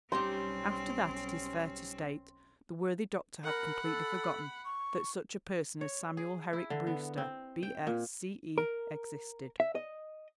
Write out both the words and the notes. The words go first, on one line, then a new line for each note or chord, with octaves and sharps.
After that, it is fair to state, the worthy doctor had completely forgotten that such a person as Samuel Herrick Brewster, B.S., C.E. existed.
B1 G3 C4 C#4 D#4 G4 C6
A#4 F#5 B5
A4
C#6
C#5
G#4
E4
D3
B3
C4
G5
A#2
A#4
E5
D#5